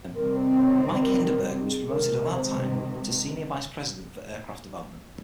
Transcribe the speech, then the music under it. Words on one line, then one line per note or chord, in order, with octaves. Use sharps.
Mike Hinderberger was promoted at that time to senior vice president for aircraft development.
C3 D#3 G3 C4 A#4
C5
C#5
C5
A#4
A#4
G4
G#4
C3 D#3 G#3 A#4
C5